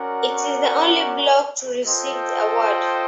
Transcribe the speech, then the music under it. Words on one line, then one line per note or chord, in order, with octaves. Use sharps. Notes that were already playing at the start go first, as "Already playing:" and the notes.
It is the only blog to receive the award.
Already playing: C#4 F#4 A#4 D5 F#5
F4 A4 C5 D#5 G5